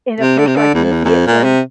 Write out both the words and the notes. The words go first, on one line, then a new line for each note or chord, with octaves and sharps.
in a place where I can see it so I'm
C3
D3
C3
D3
E2
F2
E2
E2
F2
A#2
C3